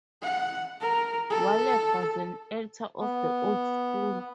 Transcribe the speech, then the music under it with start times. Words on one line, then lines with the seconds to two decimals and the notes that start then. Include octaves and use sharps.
Wallack was an actor of the old school.
0.22 F#5
0.81 A#4
1.30 A4
3.00 B3